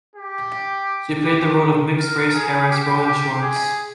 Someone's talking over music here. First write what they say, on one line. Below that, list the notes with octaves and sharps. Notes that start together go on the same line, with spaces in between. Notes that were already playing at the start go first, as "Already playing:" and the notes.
She played the role of mixed-race heiress Rhoda Swartz.
G4
G4
A#4
G#4
G4
G4
G#4